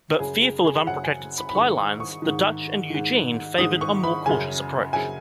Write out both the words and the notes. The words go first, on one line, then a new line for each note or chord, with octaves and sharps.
But fearful of unprotected supply-lines, the Dutch and Eugene favoured a more cautious approach.
F#2 C#3 G#4
G#4
G#4
F#2 C#3 F#5
G#5
B5
B5
G#2 D#3 C#6
D#6
C#6
G#2 D#3
G#2 D#3
G#2 D#3 D#6
C#6
B5
F#2 C#3 G#5
F#2 C#3 G#5